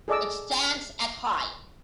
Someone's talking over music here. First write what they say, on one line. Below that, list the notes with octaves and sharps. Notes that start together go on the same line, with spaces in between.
It stands at high.
G#4 A4 D5 D#5 D6 E6